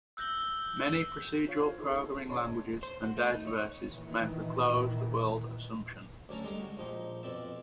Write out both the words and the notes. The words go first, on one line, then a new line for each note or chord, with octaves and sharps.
Many procedural programming languages and databases make the closed-world assumption.
E6 F#6 G6 A#6 F#7 G7
F4 C#5 F5
C5
D#4 G#4 A4 C6
C#4 C#5 D#5 A5 C6 C#6
C5
F#4
A3
D#4
C#5
A#2 D#3 E3
D2 F#3 C#4 A4 A#5
D3 G3 G#3
F#4
A#1 F3 D#4 G5
F2 B2 C4 D5 E5